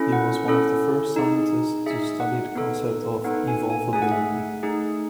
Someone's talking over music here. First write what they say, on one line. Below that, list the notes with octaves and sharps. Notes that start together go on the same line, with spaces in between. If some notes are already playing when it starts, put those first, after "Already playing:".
He was one of the first scientists to study the concept of evolvability.
Already playing: C#4 E4 A4
F#5
C#4 E4 A4
D#4 G#4
D#4 G#4 E5
F#5
B3 D#4 A4
B3 D#4 A4 F#5
G#5
G#5
A3 D#4 G#4 G#5
F#5
E5
F#5
A3 D#4 G#4